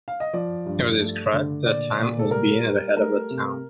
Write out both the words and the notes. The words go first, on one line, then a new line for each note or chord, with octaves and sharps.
It was described at the time as being at the head of that town.
F5
D#5
F3 D5
G2
A3
D3
A#2 D5
A#2
A4
G3 A#4
G3
A3 A#4
C3